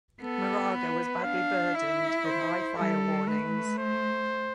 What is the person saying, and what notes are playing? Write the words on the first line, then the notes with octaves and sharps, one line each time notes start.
Moraga was badly burdened, with high fire warnings.
B3 A4
B4
D4 F5
E4 E5
C5
G3 A4
A3 B4
C5